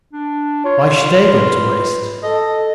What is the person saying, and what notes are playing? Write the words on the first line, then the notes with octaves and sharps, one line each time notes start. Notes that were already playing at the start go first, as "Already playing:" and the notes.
Why should they go to waste?
D4
F4 C#5
B4
A4 D#5